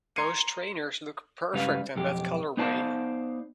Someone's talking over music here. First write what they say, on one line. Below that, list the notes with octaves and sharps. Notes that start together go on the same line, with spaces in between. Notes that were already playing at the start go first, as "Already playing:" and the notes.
Those trainers look perfect in that colorway!
A#5 C6 G#6 C7 C#7 D#7
C#2 G2 G3 C#4 B4 F5
B1 F2 G4
B3 D#4 C5 D5 F5 A5